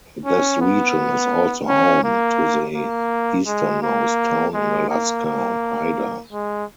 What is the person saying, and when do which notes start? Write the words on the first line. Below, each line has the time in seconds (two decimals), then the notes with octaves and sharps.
This region is also home to the easternmost town in Alaska, Hyder.
0.26 C#4
0.61 B3
1.68 C#4
2.04 A#3
2.75 A#3
3.47 G#3
3.82 A#3
4.54 G#3
4.90 A#3
5.25 A#3
6.33 G#3